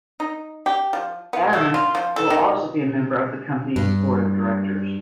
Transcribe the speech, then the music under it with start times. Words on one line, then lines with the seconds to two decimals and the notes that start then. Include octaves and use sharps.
Aron will also be a member of the company's board of directors.
0.20 D#4
0.66 G4
0.93 F3
1.33 B3
1.53 A3
1.74 F4
1.95 F3
2.16 A4
2.30 D#3
3.76 G2